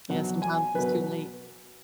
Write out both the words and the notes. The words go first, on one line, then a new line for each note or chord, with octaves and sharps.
Yeah, sometimes it's too late.
B2 F#3 F#5
G#5
B2 F#3 B4